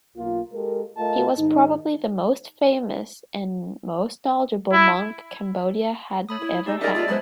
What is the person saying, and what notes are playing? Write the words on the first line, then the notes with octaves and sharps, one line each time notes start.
He was probably the most famous and most knowledgeable monk Cambodia had ever had.
B1 A#3 F4
G#3 G4 A4 A#4
A3 F4 A#4 D#5 A5
G#2 D#3 D#4
E4
A3 C#5 B5 D#6
E4
D#4 G4 D5 E6
D#4 G#4 A#4 D5 E5
F4 C#5 E5 A5
F#3 G#3 B3 C5 B5